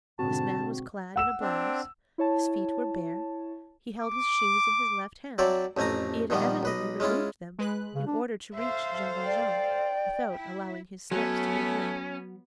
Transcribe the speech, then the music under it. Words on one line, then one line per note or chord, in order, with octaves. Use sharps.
This man was clad in a blouse; his feet were bare; he held his shoes in his left hand; he had evidently removed them in order to reach Jean Valjean, without allowing his steps to be heard.
G#2 B2 D3 C4 F#4 A5
F#5 E6 E7
C4 D4
E4 C#5 A5
D6
F#3 C4 A4 C#5 D5 E5
A1 F2 A3 G#5 A#5
A#2 D#3 F3 G3 B3
B1 B4 D#5
G#3 C#4 E4 F4
G#3 B4 F#6
C#3
D4
A4 C5 E5 F5
D5 G5
E4
F#3 A3 B3 C#4